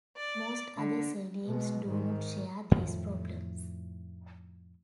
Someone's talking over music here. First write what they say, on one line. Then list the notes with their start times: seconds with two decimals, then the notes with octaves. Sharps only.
Most other surnames do not share these problems.
0.15 D5
0.76 D3
1.45 B2 G#3
1.88 G#2 D#3
2.71 F2 A2 D#3 F3